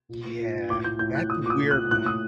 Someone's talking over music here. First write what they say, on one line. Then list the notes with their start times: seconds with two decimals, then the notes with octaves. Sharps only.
Yeah. That weird one.
0.09 A#2
0.24 A#2
0.39 A#2
0.55 A#2
0.70 A2 D6
0.84 A2 G6
0.99 A2 G6
1.15 A2 F#6
1.30 A#2 D#6
1.45 A#2 D6
1.50 D#6
1.60 A#2
1.71 F#6
1.75 A#2
1.91 A2 F#6
2.05 A2 D#6